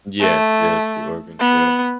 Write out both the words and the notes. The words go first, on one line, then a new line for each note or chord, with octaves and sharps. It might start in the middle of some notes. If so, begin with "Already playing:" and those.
Yes, yes. The Oregon Trail.
A3
B3